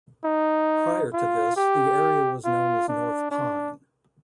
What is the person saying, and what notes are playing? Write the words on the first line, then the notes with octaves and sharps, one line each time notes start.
Prior to this, the area was known as North Pine.
D#4
F4
G4
F4
D4
D4